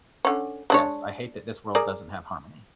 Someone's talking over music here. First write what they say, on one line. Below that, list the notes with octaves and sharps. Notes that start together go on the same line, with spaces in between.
Yes, I hate that this world doesn't have harmony.
D3 C#4
G#3 D4 C#5
G#4 A#4 D5